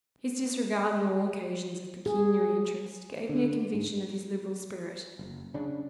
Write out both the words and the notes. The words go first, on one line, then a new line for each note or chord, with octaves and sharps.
His disregard, on all occasions, of pecuniary interest, gave me a conviction of his liberal spirit.
G#4
D3
G#2
F#1
C#3 C#4 D4